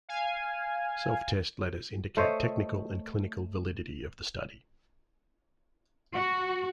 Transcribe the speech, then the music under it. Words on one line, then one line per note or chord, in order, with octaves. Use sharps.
Self-test letters indicate technical and clinical validity of the study.
F5 G#5
A3 C5 C#5 D#5
F#4